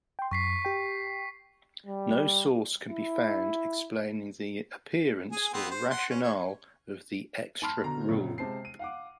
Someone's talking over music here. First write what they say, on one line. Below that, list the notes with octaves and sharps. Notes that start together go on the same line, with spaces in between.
No source can be found explaining the appearance or rationale of the extra rule.
G5 C6
F#2 C#6 B6 C7
G4 G5
G3
E4
G#4 G#5
B3 C4 F#5
C5
F#5 C6
C#4
C#5
A5 B5 C6 F6
B2 D3 A#5
A#1 F#2 C#3
C3 G#3 C5 A5 C7
D#7
F5 F#5 D6